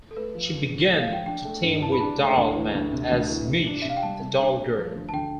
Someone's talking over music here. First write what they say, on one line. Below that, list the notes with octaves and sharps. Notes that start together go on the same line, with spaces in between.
She began to team with Doll Man as Midge, the Doll Girl.
A4
A3 B4
F3
F2
D3
A3 D5
F5
F3 G5
D4 G5
A3
G2
E3 A5
B5
D4 A5
A3
D2
E3
D2
C3
D2
E3
C3
D4
E5
C3 F5
G5
G3 A5
C3
D4
A3
F3
D2
A5
D3 G5